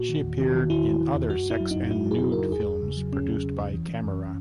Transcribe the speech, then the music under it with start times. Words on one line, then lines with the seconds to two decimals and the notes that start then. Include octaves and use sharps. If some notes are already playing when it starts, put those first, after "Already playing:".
She appeared in other sex and nude films produced by "Kamera".
Already playing: A#2 F#4
0.09 D#3
0.24 E2
0.39 D#3
0.55 D#3
0.69 E2 E4
0.85 E2
1.01 D#3
1.15 E2
1.30 F#2 F#4
1.46 F#2 E4
1.60 F#3
1.71 D#4
1.76 F#2
1.91 F#2 E4
2.06 F#3
2.11 G#4
2.21 C#3
2.32 F#2 A#4
2.52 E2 G#4
2.66 E2
2.82 C#3
2.97 F#3
3.12 E2 C#4
3.27 C#3
3.43 C#3
3.58 E2
3.74 E3
3.89 E3
4.03 F#2